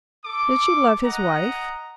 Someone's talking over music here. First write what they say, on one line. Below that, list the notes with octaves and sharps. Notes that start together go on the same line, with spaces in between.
Did she love his wife?
A4 D6
D#5 F#5 A#5